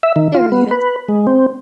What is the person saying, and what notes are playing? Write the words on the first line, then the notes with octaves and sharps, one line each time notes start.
There really is,
E5
D#3
F4
B3
B4
G#3
C4